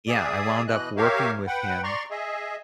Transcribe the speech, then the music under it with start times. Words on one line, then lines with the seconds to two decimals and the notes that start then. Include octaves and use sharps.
Yeah, I wound up working with him,
0.08 G#4 D5 E5 D#6
0.68 B2 E3 D#5 F#6
0.97 G4 A#4 C#5 E5 F5
1.47 B4 F#5 G5
1.83 D5 A#5 C6 C#6
2.10 G#4 D#5 E5